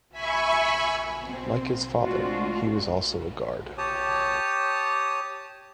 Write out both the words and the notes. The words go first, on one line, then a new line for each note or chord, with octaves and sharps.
Like his father, he was also a guard.
E5 G#5 B5 C#6
B2 C4
G#3 A3 C4 D4 F4 F#4
G4 C#5 A5 D#6